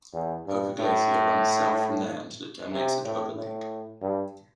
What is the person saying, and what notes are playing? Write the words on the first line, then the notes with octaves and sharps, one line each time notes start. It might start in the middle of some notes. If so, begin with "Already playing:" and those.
Hooker Glacier runs south from there until its terminus at Hooker Lake.
E2
G2
A2
C3
A2
A2
G2